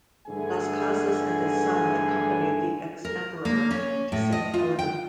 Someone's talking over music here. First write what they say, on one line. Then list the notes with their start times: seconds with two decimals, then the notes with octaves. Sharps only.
Las Cases and his son accompanied the ex-emperor to Saint Helena.
0.27 G2 D3 E3 A3 G#4 G#5
3.05 A#4
3.45 A#3
3.71 C#4
4.12 A2
4.33 D#5
4.54 F4
4.79 G5